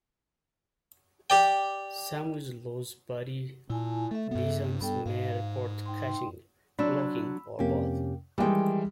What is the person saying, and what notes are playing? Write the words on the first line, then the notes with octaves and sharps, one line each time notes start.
Some with loose body lesions may report catching, locking, or both.
G4 D5 G5
A#2 E4 G#5 A5
A3 A4 E5
G2 B3
G2 B3 A4 G5
G#2 F5
D#4 G5 C6
F#3 C4 D4 B5 E6
F2 C3 A#3 C#4 G4
D#3 E3 G3 G#3 E5 G5